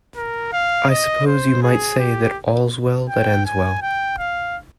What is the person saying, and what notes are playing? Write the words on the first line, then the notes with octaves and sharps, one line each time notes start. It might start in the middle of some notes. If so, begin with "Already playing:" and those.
I suppose you might say that all's well that ends well.
A#4
F5
D#5
C5
G#4
G4
G5
G#5
G5
F5